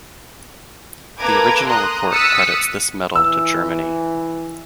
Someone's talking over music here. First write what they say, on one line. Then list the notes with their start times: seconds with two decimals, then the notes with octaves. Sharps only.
The original report credits this medal to Germany.
1.17 A#3 A4 B4 A#5 D6 G#6
1.66 A#5 C6 D#6 F#6
2.10 D#6 E6 F#6 A6 B6 C#7
3.15 E3 E6